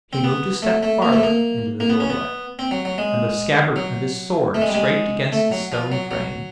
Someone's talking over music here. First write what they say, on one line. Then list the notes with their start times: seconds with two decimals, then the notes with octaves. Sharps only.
He moved a step farther into the doorway and the scabbard of his sword scraped against the stone frame.
0.13 C4
0.24 B3
0.62 A3
0.83 A3
1.02 A#3
1.13 A3
1.23 A#3
1.80 A#3
1.90 B3
2.00 C#4
2.10 B3
2.59 C4
2.71 F#3
2.85 F#3
2.98 G#3
3.76 F#3
4.54 A3
4.61 G#3
4.69 G3
4.75 G#3
5.32 A3
5.52 F#3
5.72 F3
5.92 F#3
6.11 F#3